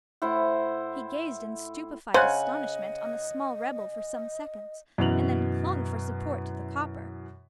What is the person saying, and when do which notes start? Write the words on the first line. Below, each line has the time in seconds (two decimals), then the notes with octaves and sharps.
He gazed in stupefied astonishment on the small rebel for some seconds, and then clung for support to the copper.
0.22 A2 E4 C5 F#5
2.14 C#3 C5 D#5 F#5 G#5 F#6
4.98 F#2 B2 E3 F7 F#7